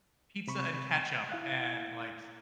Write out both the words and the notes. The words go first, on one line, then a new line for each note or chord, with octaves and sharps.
pizza and ketchup and, like
C3 B5 C#6
E4 F5 F#6